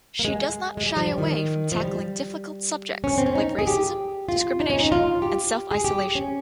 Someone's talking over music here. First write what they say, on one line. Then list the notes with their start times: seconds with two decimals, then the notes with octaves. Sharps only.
She does not shy away from tackling difficult subjects like racism, discrimination and self-isolation.
0.19 A#3
0.25 G#3
0.77 G#3
0.86 G3
0.97 F3
1.07 G3
1.18 D#3
1.72 F3
1.80 G3
3.04 C#4
3.18 C4
3.26 C#4
3.35 D#4
3.59 G#4
3.67 G4
4.29 F4
4.60 D#4
4.70 C#4
4.80 D#4
4.92 F4
5.22 G4
5.71 G#4
5.84 G4
6.15 C#4